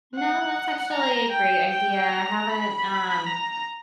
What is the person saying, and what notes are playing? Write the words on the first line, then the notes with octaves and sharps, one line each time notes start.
No, that's actually a great idea, I haven't, um,
F#5
A#5
G5
G5
A#5
B5
A#5